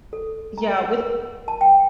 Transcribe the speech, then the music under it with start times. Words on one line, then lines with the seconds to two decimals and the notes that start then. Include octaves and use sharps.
yeah, with
0.13 A4
0.58 A#5
0.77 F#5
1.00 A#4
1.48 A5
1.61 G5